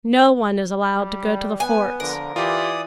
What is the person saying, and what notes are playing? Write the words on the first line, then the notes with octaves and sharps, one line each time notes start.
No one is allowed to go to the forts.
G3
B3 G#5
D3 F3 A#4
E3 F4 G4 D5 D#6